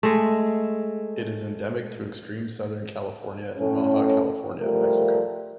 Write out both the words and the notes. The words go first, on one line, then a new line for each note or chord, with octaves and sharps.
It is endemic to extreme southern California and Baja California, Mexico.
G#3 A3
A2 C#4
F3 G3 A3 A#4